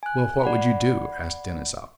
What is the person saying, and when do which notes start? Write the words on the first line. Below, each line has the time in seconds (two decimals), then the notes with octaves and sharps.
"Well, what would you do?" asked Denisov.
0.03 G#5 F#6
0.44 D5 F#5 B5